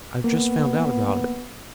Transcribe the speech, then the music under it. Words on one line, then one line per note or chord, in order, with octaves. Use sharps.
I have just found out about it.
A#3 B3